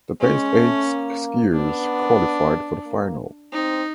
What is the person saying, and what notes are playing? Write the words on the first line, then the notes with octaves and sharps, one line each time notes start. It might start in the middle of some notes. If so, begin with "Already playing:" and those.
The best eight skiers qualified for the final.
G#3 C#4
A3
A#3
B3 D4
A#3
C4 D#4